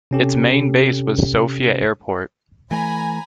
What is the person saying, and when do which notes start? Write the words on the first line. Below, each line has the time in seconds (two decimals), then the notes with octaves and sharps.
Its main base was Sofia Airport.
0.11 C3 C#4 G4 A4
2.71 E3 A3 G#5 A#5 B5